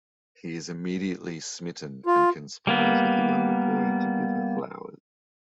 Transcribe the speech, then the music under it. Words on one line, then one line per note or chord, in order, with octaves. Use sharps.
He is immediately smitten and conspires with a younger boy to give her flowers.
F4
G3 A#3 B3